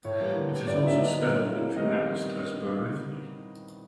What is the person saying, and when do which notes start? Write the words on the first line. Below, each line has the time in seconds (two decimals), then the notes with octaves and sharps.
It is also spelled and pronounced as "Borivli".
0.05 A2 C#5
0.20 E3 G3 A#3
0.35 D3
0.52 G3 B3
0.67 A2 D5
0.82 F#3 B3 D#4 E5
0.98 D3 D#5
1.14 F#3 B3 D#4
1.29 A#2
1.46 F#3 A#3 C#4 E4
1.61 C3
1.76 D#3 G3 B3 D#5